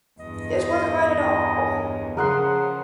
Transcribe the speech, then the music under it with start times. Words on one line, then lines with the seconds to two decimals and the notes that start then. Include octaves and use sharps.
This wasn’t right at all.
0.19 E2 G2 D#5
1.57 A#4 C#5 G#5
2.17 C#3 F3 G#4 A#4 F#5 C6 D#6